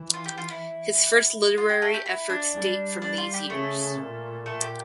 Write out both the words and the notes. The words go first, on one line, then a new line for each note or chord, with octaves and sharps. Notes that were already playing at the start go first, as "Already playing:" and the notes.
His first literary efforts date from these years.
Already playing: E3
F4
G4
F4
E4
F4
G4
A3 A4
G4
E4
D4
G3
D4
F4
G4
C#3 A3 A4
A#2
A#2 A3 A4
G4